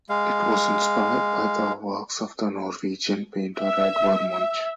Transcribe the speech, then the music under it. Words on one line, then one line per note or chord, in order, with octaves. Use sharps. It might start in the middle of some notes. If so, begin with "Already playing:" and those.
It was inspired by the works of the Norwegian painter Edvard Munch.
G#3 F5
E5
E5